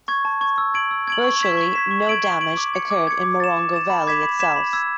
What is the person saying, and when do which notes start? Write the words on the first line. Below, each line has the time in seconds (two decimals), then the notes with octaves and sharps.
Virtually no damage occurred in Morongo Valley itself.
0.08 C#6 G#6
0.25 A5
0.41 C#6 G#6
0.58 E6
0.74 G#6 D7 F#7
0.91 E6
1.07 G#6 D7 F#7
1.24 C#6
1.41 G#6 B6 E7
1.57 C#6
1.74 G#6 B6 E7
1.91 C#6
2.07 G#6 D7 F#7
2.24 C#6
2.41 G#6 D7 F#7
2.57 D6
2.74 G#6 C#7
2.91 D6
3.07 G#6 C#7
3.23 D6
3.40 A6 E7
3.57 D6
3.73 A6 E7
3.90 B5
4.07 D6 G#6 B6 E7
4.23 B5
4.39 D6 G#6 B6 E7
4.56 B5
4.73 E6 G#6